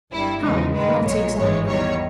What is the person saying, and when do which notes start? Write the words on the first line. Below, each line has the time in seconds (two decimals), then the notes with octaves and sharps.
"How, not exactly?"
0.12 G1 G2 G3 E4
0.43 E2 C#3 E3 G#3 D#4
0.74 G2 D#3 G#3 B4
1.05 B1 A#2 G#3 C#5
1.36 G#1 G2 E3 G#3 C#5
1.67 E2 D#3 G3 C#5